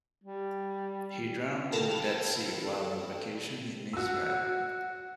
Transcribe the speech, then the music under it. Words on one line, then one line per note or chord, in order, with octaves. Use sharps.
He drowned in the Dead Sea while on vacation in Israel.
G3
A4 A#4 F5 G5 A5 B5
F#4 E6